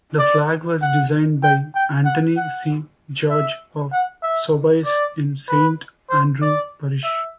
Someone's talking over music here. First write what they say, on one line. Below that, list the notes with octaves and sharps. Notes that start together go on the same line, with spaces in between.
The flag was designed by Anthony C. George of Soubise in Saint Andrew Parish.
D5
F#5
G5
G5
F#5
F#5
E5
F#5
E5
D5
B4
C5
D5
E5